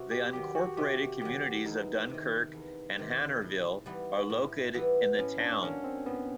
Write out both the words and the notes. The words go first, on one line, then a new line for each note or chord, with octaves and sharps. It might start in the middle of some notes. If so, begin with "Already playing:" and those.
The unincorporated communities of Dunkirk and Hanerville are located in the town.
Already playing: C3 F#4
G4
D#3 F#3 G4
F#4
C3 G4
D#3 F#3 G4
E2 D#4
C3 D#3
E2
C3 D#3
A2
E3 G3 B3
A2
E3 G3 B3
A2 C#4
D4
F#3 A#3 C#4
C4
A2 B3